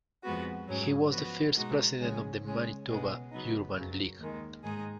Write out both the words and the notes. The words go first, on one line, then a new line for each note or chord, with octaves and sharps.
He was the first president of the Manitoba Urban League.
F2 F3 G#3 B3 F#4
G#2 F#3 C#4 G#4
F3 B3 F#4
B2 G#3 D#4 F#4
C#3 F3 G#3 C#4 G#4
C#3 G#3 C#4 G#4
B2 G#3 B3
C#3 F#3 B3 D#4
F#2 C#3 F#3
D#2 D#3 G#3
G#2 D#3 G#3 D#4 G#4